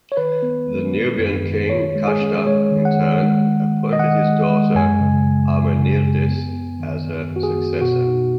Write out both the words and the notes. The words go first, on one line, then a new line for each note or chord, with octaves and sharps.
The Nubian king Kashta, in turn, appointed his daughter, Amenirdis, as her successor.
C#5
D#3 B4
B3
G#3
B3
F#2
D#3
D#3 C#5
G#3
G#4
C#4
G#3 C#5
D#3
F#5
D#3
G#3
G#3
G#3
D#5
D#3 F#5
G#3
G#3
F#2 G#5
C#3
C#3
F#2
C#3
F#2
B3
B3
D#3
B3
F#2
F#4
G#4
B3
B2 F#4
D#4